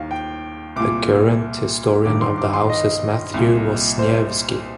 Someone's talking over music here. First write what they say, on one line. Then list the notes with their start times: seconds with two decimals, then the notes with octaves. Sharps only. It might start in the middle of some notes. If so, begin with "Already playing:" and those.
The current Historian of the House is Matthew Wasniewski.
Already playing: D#2 D#3 F5
0.11 G5
0.76 C2 A#2 D6
2.05 G1 G2 D#3 D6
2.21 C6
2.38 D6
2.53 C6
2.70 D#5
3.34 C2 A#2
3.99 C5